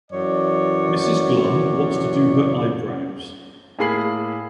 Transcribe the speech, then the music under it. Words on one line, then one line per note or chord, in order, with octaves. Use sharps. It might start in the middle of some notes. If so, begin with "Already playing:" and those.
Mrs Glum wants to do her eyebrows.
F#2 E3 C#5 D5
A2 A#3 G#4 B5 C7 F#7